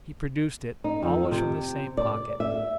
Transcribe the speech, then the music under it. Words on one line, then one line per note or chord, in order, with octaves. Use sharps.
He produced it--always from the same pocket.
D#4
F2
C3
D5
E5